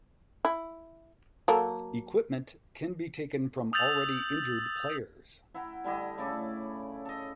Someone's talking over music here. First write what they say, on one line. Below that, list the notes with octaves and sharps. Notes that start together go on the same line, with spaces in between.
Equipment can be taken from already injured players.
E4
F#3 A#3 A4
D#6 E6 G6 A6 F7 F#7
E4 F#5 G5 A#5
D3 G3 E4 D#5
A2 C#3 A4 D5
A4 D#5